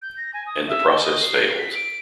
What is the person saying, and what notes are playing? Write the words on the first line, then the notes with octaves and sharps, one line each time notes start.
And the process failed.
G6
A#6
G#5
D#6
E5
G7
D#5
C7
B6
D7